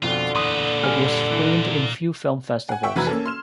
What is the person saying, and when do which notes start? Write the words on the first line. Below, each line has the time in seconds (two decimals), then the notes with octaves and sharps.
It was screened in few film festivals.
0.03 F2 B2 D3 F4
0.35 E2 A#2 B4 C6 D#6
0.83 G3 G#5 F6
1.30 E3
2.69 F#5 G#5
2.83 E5 F#5 G5 C#6 E6
2.96 F1 E3 F#4 B4 A#5 G#6
3.07 A#3 C#4 A4
3.26 C6 F6 E7